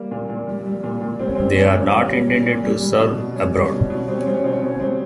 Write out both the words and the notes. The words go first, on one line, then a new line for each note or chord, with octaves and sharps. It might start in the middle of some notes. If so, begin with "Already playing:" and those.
They are not intended to serve abroad.
Already playing: G3 A#3
A#2
A#2
G3
G3
A#2
A#2
G3 C4
C#4
G3 C4
A#2 C#4
A#2
G3
G3
A#2
A#2
G3
G3
B2
B2
G3 C#4
G3
B2
B2
G3 C4
C#4
G3 C4
C#4
B2 C4
C#4
B2 C4
C#4
G3 C4